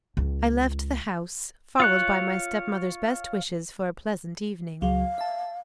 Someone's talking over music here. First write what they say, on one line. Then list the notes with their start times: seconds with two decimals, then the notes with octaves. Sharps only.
I left the house, followed by my stepmother's best wishes for a pleasant evening.
0.17 C#2
1.80 F4 C#5 F#6
4.82 C#2 F#3 F5
5.18 E5 A5